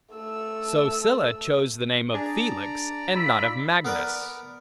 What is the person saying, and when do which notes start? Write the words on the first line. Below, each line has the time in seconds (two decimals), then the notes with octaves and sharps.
So Sylla chose the name of Felix, and not of Magnus.
0.13 A3 E6
2.14 D4 G#4 D5 A5 A#5
3.15 D#4 F4 B5 E6
3.85 B3 A#4 B4 D5